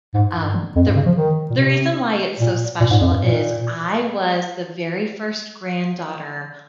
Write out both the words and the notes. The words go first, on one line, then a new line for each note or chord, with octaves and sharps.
Um, the the r the reason why it's so special is I was the very first granddaughter
G#2
G2
F2
G2
C#3
F3
D#3
A#2
C3
A#2
A#2
G#2
F2
G2
A#2